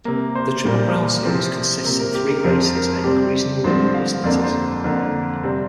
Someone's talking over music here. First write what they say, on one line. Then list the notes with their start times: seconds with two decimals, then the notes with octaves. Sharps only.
The Triple Crown series consists in three races at increasingly longer distances.
0.05 C3 A#3
0.35 C5
0.65 A#2 G3 A#3
1.25 C3 F3 C4
1.85 C3 A#3
1.99 A#4
2.15 G4
2.30 A#4
2.44 F2 F3 C4 A#4
2.74 A#4
3.04 C3 G3 C4 G4
3.64 G2 D3 F3 C4 C5
3.94 F5
4.24 F2 D3 A#3 D5
4.44 C5
4.84 F2 D3 A#3
5.43 C3 G3 C4